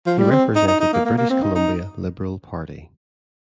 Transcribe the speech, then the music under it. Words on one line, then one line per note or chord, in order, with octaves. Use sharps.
He represented the British Columbia Liberal Party.
F3
G3
C4
D#4
D#4
D#4
A#3
A#3
A#3
C4
D#4
D#4